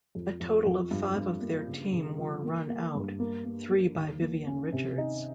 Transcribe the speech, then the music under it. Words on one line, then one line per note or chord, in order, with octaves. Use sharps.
A total of five of their team were run out, three by Vivian Richards.
F2
F2
F2
G2
G2
A#3
C#3
C#3
F3
A#3
A#3
G2
A#3
A#3
A#3
D#2
A#3
C#4
C3
D#4